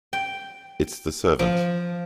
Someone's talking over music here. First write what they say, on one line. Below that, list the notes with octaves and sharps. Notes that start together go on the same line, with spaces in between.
It's the servant.
G5
F3